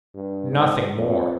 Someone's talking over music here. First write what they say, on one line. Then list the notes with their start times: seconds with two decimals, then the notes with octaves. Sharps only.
Nothing more.
0.14 G2
0.51 G#2
0.97 F2